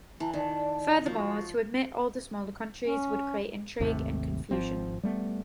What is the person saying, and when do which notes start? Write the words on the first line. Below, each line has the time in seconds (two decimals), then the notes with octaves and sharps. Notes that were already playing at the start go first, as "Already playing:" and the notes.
Furthermore, to admit all the smaller countries, would create intrigue and confusion.
0.20 E3 A5 A#5
0.33 D#3 D5 A5
1.06 F3 F#4
2.87 C#4
3.80 G#1 D#2 C3 A3
4.51 G#1 F3 C4
5.03 G3 A3 B3